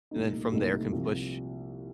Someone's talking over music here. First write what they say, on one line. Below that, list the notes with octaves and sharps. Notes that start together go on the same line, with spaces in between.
And then from there, can push,
C2 A#2 A3 D#4
C2 A#2 A3 D#4
C2 C3 F3